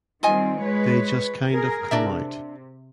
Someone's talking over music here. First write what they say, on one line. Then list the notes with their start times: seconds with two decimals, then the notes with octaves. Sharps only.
They just kind of come out.
0.23 D#3 G3 C4 F4 D#5 G#5
0.59 G#3 B4 C#5
1.51 G#4 A#4
1.91 C3 D4 D5 E5